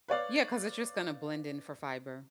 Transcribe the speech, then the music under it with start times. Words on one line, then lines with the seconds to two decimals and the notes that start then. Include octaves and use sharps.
Yeah, 'cause it's just gonna blend in for fiber.
0.08 B4 C#5 D5 F5